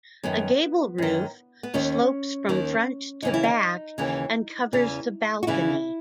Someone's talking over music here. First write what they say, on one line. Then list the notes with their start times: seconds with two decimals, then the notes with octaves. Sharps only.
A gable roof slopes from front to back and covers the balcony.
0.23 F#2 D#3 B3
0.98 F#2 D#3
1.63 B3
1.74 D#2 D#3 C#4
2.49 D#2 D#3
3.22 D#2 C#3 E3 D#4
3.34 E4
3.43 D#4
3.98 D#2 C#3 E3
4.73 E2 C#3 E3
5.43 F#4
5.47 E2 C#3 E3 E4